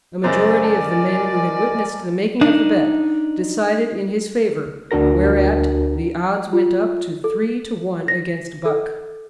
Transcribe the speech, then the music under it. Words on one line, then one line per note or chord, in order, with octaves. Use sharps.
A majority of the men who had witnessed the making of the bet decided in his favor, whereat the odds went up to three to one against Buck.
F#2 C#3 A#4 C5 D5 D#5 G#5
A5
D4 D#4
D2 D4 F#4 A#4 A#6
F4
A4
A#6
A4